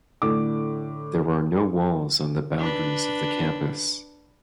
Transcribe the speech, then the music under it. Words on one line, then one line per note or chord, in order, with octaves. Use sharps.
There are no walls on the boundaries of the campus.
A2 D3 D6
D4 B4